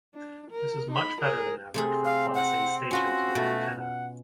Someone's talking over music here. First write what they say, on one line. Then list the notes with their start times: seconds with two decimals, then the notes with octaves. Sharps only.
This is much better than average for a Class A station's main antenna.
0.15 D4
0.51 A#4
0.91 D#4 B5
1.21 G#4 A#4
1.74 C3 A3 C4 G#4
2.05 F5
2.35 F#5
2.91 C#4 F4 F#4 B4
3.35 B2 A3
3.80 F#5